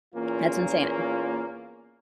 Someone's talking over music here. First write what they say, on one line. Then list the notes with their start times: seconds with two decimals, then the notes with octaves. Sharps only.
That's insane,
0.14 E2 A#2 A#3 C#4 F4